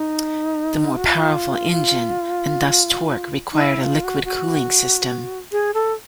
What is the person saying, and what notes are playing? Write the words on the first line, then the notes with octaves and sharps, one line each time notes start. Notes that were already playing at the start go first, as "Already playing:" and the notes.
The more powerful engine and thus torque required a liquid cooling system.
Already playing: D#4
F#4
F4
D#4
E4
F4
F#4
F#4
G#4
A4